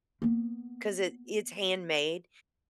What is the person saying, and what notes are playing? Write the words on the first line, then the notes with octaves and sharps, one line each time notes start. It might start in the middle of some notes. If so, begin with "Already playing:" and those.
'cause it it's handmade.
A#3 B3